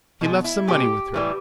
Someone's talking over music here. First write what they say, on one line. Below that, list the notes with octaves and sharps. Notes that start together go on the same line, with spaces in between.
He left some money with her.
B2 G#3
E4
B2 G#3 G4
A2 E3 G3